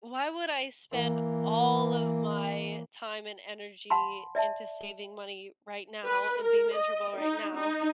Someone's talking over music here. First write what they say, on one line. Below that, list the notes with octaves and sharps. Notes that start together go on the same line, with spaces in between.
"Why would I spend all of my time and energy into saving money right now and be miserable right now
E3 A#3
F5 F#5 A5 B5 C6
D5 E5 F5 A5
B4
A#4
D#5
D#4
D#4